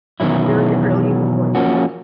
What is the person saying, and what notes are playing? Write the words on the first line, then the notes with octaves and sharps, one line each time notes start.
Very early in the morning.
B2 D#3 E3 F#3 E4
F3 A#3 C#4 F#4